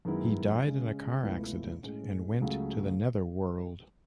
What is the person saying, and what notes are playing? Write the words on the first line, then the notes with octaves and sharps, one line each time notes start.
He died in a car accident and went to the netherworld.
F#2 D#3 G#3 B3 E4
C#3 G#3 C#4
C#2 B2 A3 E4 B4
A2 G#3 C#4
C#2 C#3 F#3 A3